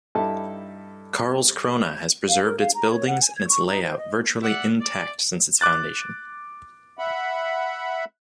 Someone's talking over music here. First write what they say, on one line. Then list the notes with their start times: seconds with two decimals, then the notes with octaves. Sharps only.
Karlskrona has preserved its buildings and its layout virtually intact since its foundation.
0.15 G2 D#4 E4 G4 A4 A5
2.28 F5
2.44 A#4
2.59 F5
2.74 A#5
2.89 C#5
3.07 F#5
3.22 G#5
3.36 G#6
3.47 C#6
3.66 D#4
3.82 C5
3.98 D#5
4.42 D5 E5 F#5
4.80 D5
5.61 D6 F#6 A6
6.99 E5 F#5 B5